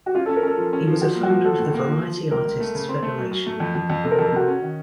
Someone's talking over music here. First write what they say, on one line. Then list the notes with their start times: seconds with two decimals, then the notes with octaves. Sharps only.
He was a founder of the Variety Artists Federation.
0.06 F#4
0.15 C#4 F4
0.26 A4
0.29 C#4
0.37 A#4
0.43 C#4 A4
0.57 F3
0.73 C#4
0.87 F3
1.01 F3 F#4
1.15 A#3
1.23 F#4
1.30 F3
1.44 F3 A4
1.59 A2
1.74 A#3
1.87 F3
2.02 F3
2.17 F3
2.31 C#2 A#4
2.45 C#2
2.60 A3
2.75 C#3
2.89 C4
3.02 A3
3.18 F#2
3.31 F#2
3.46 A3
3.60 F2
3.75 F2
3.90 F2
4.04 C3 A4
4.11 A#4
4.15 A4
4.19 F2
4.26 A4
4.32 C3 F#4
4.48 C#4
4.62 D#3